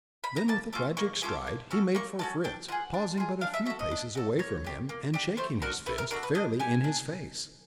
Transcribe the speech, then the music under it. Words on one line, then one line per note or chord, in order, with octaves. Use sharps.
Then, with a tragic stride, he made for Fritz, pausing but a few paces away from him, and shaking his fist fairly in his face.
B5
A#5
A#3 A5
C#4 F4 A4 D6
A#3 C#6
C#4 F4 A4 D6
A#3
C#4 F#4 A4
A#3 C#6
C#4 F#4 A4 A5
D4 G5
F4 G#4 F#5
D4
F4 G#4
D4 F5
E5
F#4 A4 E5
D#5
D4
F#4 A4
A#3 C#5
D4 G4
A#3
D4 G4
A3 C5
D4 F#4 A4 A#4
A3 B4
A#4
D4 F#4 A4 A#4
B4
D4 D#5
G4 G#5
D4